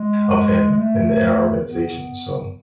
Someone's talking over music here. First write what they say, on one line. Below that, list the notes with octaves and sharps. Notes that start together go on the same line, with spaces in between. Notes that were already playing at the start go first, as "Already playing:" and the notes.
of him in the in our organization, so
Already playing: G#3
G#3
A3
B3